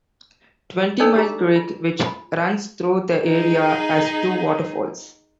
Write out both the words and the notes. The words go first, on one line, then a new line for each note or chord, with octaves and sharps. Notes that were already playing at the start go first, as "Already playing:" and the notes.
Twenty Mile Creek, which runs through the area, has two waterfalls.
D4 D#4 A4 C#5 D5 E6
G4 G#4 A#5
F4
B5
D#4 G#4